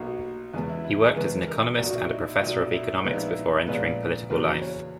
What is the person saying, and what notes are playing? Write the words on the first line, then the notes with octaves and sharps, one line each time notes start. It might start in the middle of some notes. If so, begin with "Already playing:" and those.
He worked as an economist and a professor of economics before entering political life.
Already playing: B1 B2 F#3 A#3
E2 C#3 G#3 B3
E4
E4
G#4
E2 C#3 G#3 B3 B4
A#4
B1 A#2 F#3 F#4
F#4
E4
D#4
E4
B1 A#2 F#3 D#4
E4
A#1 A#2 G#3 B3 E4
D#4
E4
A#1 A#2 G#3 B3 B4
E2 C#3 F#3 A#3 B4
C#5